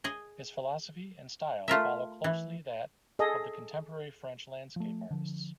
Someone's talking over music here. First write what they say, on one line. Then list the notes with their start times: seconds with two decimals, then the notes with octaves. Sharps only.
His philosophy and style follow closely that of the contemporary French landscape artists.
0.04 G#4 D#5
1.68 A3 F4 A#4 E5
2.24 E3
3.19 G#4 A4 D#5
4.76 F3 A3
5.11 D3 F3